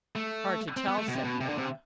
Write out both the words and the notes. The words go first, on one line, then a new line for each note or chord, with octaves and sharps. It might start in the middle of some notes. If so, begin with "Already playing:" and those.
"Hard to tell," said Nora.
A3
C4
B3
A3
B2
C3
B2
C3
D3
C3